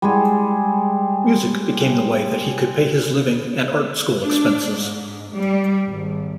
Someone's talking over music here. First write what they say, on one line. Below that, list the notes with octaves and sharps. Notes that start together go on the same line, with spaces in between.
Music became the way that he could pay his living and art school expenses.
G3 G#3 G#4
D4
G#2
G3
G#1